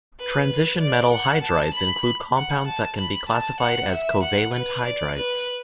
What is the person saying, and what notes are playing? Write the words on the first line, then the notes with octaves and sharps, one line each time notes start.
Transition metal hydrides include compounds that can be classified as "covalent hydrides".
B4
D5
F#5
A5
B5
F#5
A5
B5
A5
F#5
E5
F#5
B4
D5
B4